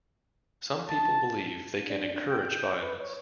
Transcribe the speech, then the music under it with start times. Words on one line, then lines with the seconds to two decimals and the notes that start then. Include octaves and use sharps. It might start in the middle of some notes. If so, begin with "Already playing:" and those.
Some people believe they can encourage violence.
0.89 A5
1.90 D4
2.30 G5
2.83 B4
3.00 C#5